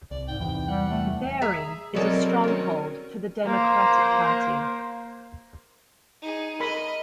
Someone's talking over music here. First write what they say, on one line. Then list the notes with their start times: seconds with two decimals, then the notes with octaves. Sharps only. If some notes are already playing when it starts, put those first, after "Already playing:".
Baring is a stronghold for the Democratic Party.
0.11 C2 D5
0.28 G#2 G5
0.40 E2 C3 G5
0.68 G3 F#5
0.90 A3
1.42 G#4 E5 A#5
1.95 B2 F#3 G#3 C4 A4 A#4 D5
2.44 D#3 C#4
3.45 A#3 C5
6.22 D#4 G#4
6.60 A#4 D#5 B5